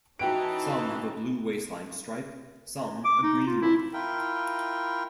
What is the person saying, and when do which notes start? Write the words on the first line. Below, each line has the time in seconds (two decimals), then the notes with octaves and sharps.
Some have a blue waistline stripe, some a green one.
0.19 E3 C#4 D#4 F#4 G5 A5 D7
3.05 D6
3.23 D#4
3.47 F4
3.62 E4
3.93 E4 F4 A#4 G5